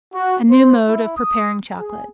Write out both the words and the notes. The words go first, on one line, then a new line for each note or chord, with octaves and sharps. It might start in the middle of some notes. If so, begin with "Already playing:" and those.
A New Mode of Preparing Chocolate.
F#4
C5
E4
D#6
G#4